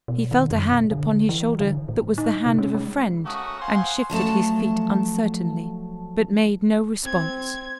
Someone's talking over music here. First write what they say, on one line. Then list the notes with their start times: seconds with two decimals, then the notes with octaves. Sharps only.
He felt a hand upon his shoulder that was the hand of a friend, and shifted his feet uncertainly, but made no response.
0.08 B2
0.31 D#3
0.51 F#2
0.72 B2
0.91 D3
1.29 E3
1.60 D3
1.89 A2
2.18 D#4
2.46 C3
2.58 C#4
2.74 G#3
3.25 A3 A#3 C#4 F#4 D#6
3.61 C5 F5 F#5 G#5 C6
4.10 F3 F#3 A3 A5
7.05 C4 G#6